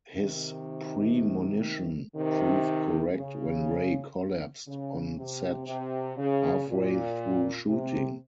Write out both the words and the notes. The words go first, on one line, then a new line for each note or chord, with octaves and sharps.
His premonition proved correct when Ray collapsed on set halfway through shooting.
C3 D#3
C3 D#3
C#3
C#3
C3
C3
C#3
A#2
C3